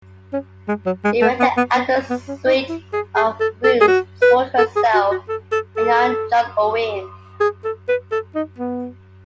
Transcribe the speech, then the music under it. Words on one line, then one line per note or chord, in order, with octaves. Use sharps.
She rented out a suite of rooms to support herself and young John Owen.
C#4
G#3
F#3
G#3
A3
B3
B3
B3
B3
C#4
D#4
E4
G#4
G#4
A4
A4
G#4
F#4
B4
A4
G#4
F#4
F#4
A4
A4
A4
G#4
A4
B4
A4
D#4
B3